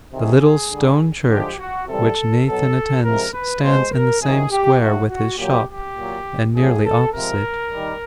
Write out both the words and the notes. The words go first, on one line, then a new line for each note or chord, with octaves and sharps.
The little stone church which Nathan attends stands in the same square with his shop, and nearly opposite.
C3 D#3 F#3 G#4
D3 G3
D3 F3 G#3 G4
F#4
C3 E3 G3 A4
B2 F#3 A4
C3 F3 G#3 A#4
B4
B2 G#3 C5
A#4
C3 D#3 F#3 G#4
G4
A2 F#3 F#4
F#4
A#2 F#3 G4
G4
A#2 F#3
A2 F#3 G#4
A4
C3 F3 G#3 A#4
D#3 G3